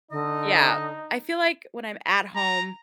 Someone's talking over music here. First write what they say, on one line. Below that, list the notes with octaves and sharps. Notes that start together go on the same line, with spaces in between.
yeah, I feel like, when I'm at home
D3 D#4 D#5
A#5